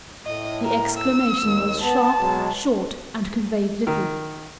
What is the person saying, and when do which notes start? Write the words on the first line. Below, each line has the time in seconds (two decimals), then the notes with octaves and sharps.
The exclamation was sharp, short and conveyed little.
0.25 A2 D#5
0.64 A#4
0.98 E6
1.43 D#2
1.82 B3 A5
2.20 B2 F#3 G#3
3.87 D#3